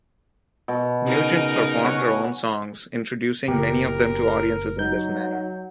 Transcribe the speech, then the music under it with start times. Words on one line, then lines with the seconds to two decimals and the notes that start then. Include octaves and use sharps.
Nugent performed her own songs, introducing many of them to audiences in this manner.
0.68 B2
1.07 C#3 D#4 A#4
1.84 C#5 F#5 G#5
3.48 F#1 G4 A#4
4.79 F#3 D#4 G6